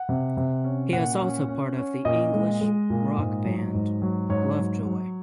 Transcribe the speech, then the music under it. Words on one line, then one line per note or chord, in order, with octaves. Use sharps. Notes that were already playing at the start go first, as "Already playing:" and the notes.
He is also part of the English rock band Lovejoy.
Already playing: F#5
C3
C3
C#4
A#2 F#5
C#4
C#4
C#4
A#2 D#5
G#3
G#3
A#2
G#2
F#3
G#2
F#3
G#2 C#5
F#3
F#3